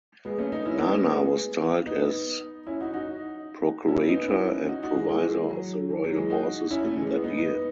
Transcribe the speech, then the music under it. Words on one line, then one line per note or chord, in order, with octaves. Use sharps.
Nana was styled as ""procurator" and "provisor" of the royal horses" in that year.
G#3 B3
A3 C#4
B3 D#4
C#4 E4
B3 D#4
A3 C#4
G#3 B3
B3 D#4
C#4 E4
D#4 F#4
D#4 F#4
C#4 E4
B3 D#4
C#4 E4
D#4 F#4
D#4 F#4
E3 G#3
E3 G#3
F#3
E3
F#3
E3 G#3
D#4 F#4
C#4 E4
A3 C#4
E3 G#3
G#3 B3
B3 D#4
B3 D#4